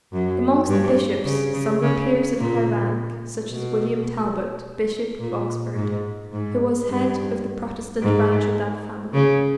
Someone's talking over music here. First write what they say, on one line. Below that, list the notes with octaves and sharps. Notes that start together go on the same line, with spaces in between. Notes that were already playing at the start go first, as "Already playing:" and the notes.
Amongst the bishops some were peers of high rank, such as William Talbot, Bishop of Oxford, who was head of the Protestant branch of that family.
F#2
G2
C#3
C#3
C#3
A#2
B2
A#2
G#2
G#2
G2
G#2
C#3